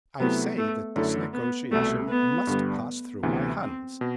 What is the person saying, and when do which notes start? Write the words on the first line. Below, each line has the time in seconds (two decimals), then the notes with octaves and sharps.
I say that this negotiation must pass through my hands.
0.20 C3 F#3 A3 B3 E4
0.58 A3
0.96 F#2 D3 A3 E4 A4
1.33 B3
1.71 C2 B2 G3 A3
2.09 B3
2.47 G2 D3 G3
3.23 D2 C3 E3 B3
3.61 C4
4.01 B2